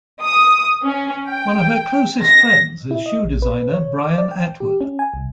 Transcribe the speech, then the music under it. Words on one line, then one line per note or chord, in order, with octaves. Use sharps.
One of her closest friends is shoe designer Brian Atwood.
D#6
C#4
G5
A#6
E4
D#5
A#1
B4
C#5
D6
D5
G5
G4
C#4
G#5
C2